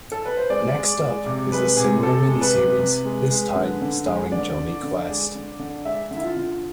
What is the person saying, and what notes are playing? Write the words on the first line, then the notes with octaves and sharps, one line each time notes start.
Next up is a similar mini-series, this time starring Jonny Quest.
A4
B4
C5
G#3 D5
G#3
G#3
C3
G#3 B4
C3 G#4
C3 A4
G#3
B4
C3
C3
G#3
G#3
D3
D3
G#3
D3 D5
D3
D3
G#3
D3
D3
G#3 E5
D3
E4
F4
D3